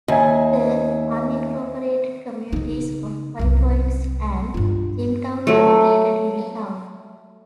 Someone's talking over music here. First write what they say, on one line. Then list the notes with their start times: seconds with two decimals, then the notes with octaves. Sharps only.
The unincorporated communities of Five Points and Jimtown are located in the town.
0.08 D#2 D#5 E5 G#5
2.53 C#3 D#4
3.39 C2 F#2
4.54 G2 F4
5.47 F#3 A3